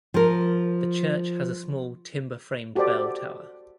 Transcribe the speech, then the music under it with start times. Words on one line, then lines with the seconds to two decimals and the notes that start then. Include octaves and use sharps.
The church has a small, timber-framed bell tower.
0.14 F3 A#4
2.76 F#4 G4 A4 C5 D5